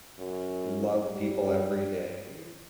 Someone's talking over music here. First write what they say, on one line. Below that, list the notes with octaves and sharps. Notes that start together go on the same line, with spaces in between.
love people every day,
F#2
G3